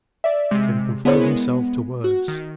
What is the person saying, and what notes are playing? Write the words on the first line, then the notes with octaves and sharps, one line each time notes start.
So he confined himself to words.
D5 E5
C3 G#3
B3 E4 G#4 A#4 C5 C#5
G#3 B3
F#4
D#3